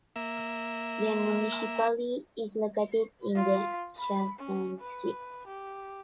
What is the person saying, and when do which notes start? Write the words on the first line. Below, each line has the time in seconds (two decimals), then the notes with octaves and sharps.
The municipality is located in the Schaffhausen district.
0.16 A#3 E5
3.36 F4
3.97 B5
4.39 C#4
4.81 B4
5.47 G4